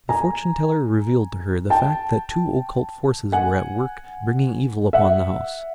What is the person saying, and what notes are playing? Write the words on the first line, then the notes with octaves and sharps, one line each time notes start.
The fortune-teller revealed to her the fact that two occult forces were at work bringing evil upon the house.
G#5 A#5
G5 A5
F#5 G#5
E5 F#5